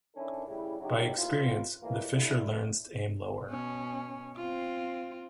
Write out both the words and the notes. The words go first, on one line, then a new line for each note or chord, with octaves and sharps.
By experience, the fisher learns to aim lower.
D#3 C#4 D4 E4 A4 A#4
A2 C#3 G3 E4
C#3 F#3 D#4 E4 F#4 G4
D#2 B2 A3 A#3 E4 F4
A2 E3 F3 G#3 A#3
D3 E4
B2 C#4
C4 F4